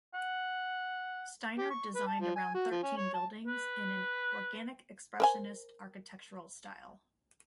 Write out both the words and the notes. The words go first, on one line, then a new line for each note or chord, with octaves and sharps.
Steiner designed around thirteen buildings in an organic-expressionist architectural style.
F#5
G4
C#6
B4
A5
F3
G#5
F#4
F3
C#4
C#5
A5
B4
A#4 C5 G#5